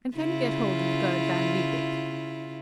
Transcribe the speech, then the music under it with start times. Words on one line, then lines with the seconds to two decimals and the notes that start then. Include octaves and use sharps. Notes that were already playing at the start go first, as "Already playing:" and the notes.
And can you get hold of Gerd van Riebeek?
0.17 C#3 E4 F4